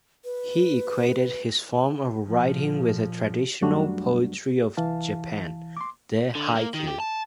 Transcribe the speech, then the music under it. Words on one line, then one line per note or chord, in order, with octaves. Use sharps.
He equated his form of writing with the traditional poetry of Japan, the haiku.
B4
A#2 F3
F#2 F#3 G3 A3 D4 F#4
C2 E3 F5 A5
C6 D6
D3
A#3
D#3
G4
A5